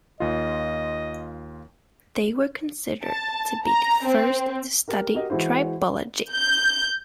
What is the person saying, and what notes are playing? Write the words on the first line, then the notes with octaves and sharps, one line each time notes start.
They were considered to be the first to study trybology.
D#2 F4 D#5
A5
A#5
C4
G4 A#4
F#4 G4 A#4 D#5
E3 G#3 E4 F#4 C5
G6